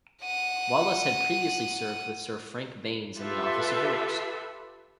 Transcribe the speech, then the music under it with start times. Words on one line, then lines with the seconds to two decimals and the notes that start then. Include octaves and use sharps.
Wallis had previously served with Sir Frank Baines in the Office of Works.
0.22 F#5 D#7
3.17 F4 G4 A4 B4 E5